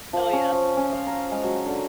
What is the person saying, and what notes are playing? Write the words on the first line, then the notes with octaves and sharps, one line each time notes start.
Oh yeah.
F3
C#4
F3
C#4
F5
A#5
G#3
F#3
D3